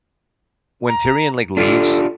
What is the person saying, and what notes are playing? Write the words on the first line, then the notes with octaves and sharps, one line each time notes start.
when Tyrion, like, leaves,
A#5
D4 F4 G4 A4